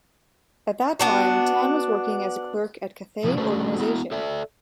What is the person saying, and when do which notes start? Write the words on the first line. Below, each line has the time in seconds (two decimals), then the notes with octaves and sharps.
At that time, Tan was working as a clerk at Cathay Organisation.
0.99 B3 D4 F#4
3.24 C3 F3 A#3 B3 E4 G#4
3.37 A3 C#4 D4 F#4 A4
3.78 B3 E4 F#4
4.12 A4 D5 E5